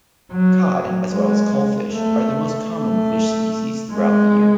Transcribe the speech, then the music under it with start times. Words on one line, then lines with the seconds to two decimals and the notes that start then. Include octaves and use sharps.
Cod, as well as coalfish, are the most common fish species throughout the year.
0.32 F#3
1.12 G#3
1.93 A3
2.72 A3
3.92 G#3